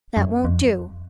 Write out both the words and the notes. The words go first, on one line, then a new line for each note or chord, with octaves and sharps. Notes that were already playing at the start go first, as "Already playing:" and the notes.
'That won't do.
F#2
F2